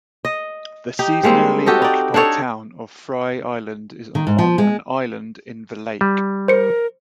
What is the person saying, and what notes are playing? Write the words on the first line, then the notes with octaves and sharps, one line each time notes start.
The seasonally occupied town of Frye Island is on an island in the lake.
D#5
D#4 G4
G3 G#3 A#3 C4
F#4 G4 A4 D#5
D#4 D5
D4 D#4 A4 C#5
D#3
G#2
F3
G#3
G3
A#4 C5 C#7